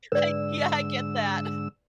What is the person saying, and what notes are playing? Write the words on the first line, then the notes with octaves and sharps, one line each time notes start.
I yeah, I get that.
G#2 D3 B4 D5 E6